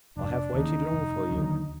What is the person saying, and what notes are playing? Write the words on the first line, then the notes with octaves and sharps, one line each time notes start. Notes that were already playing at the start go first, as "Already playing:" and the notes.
I have waited long for you.
F1 D4
D#2 C#3 D#4
F1
D#2 D3 F#3